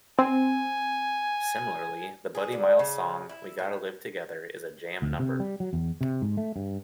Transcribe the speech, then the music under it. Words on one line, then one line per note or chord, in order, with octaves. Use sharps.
Similarly, the Buddy Miles song "We Gotta Live Together" is a jam number.
C4 G#5
G#4
D3
C#3
E4
A2
D2
C3
G3
F#3
E2
C3
G#2
A3
G2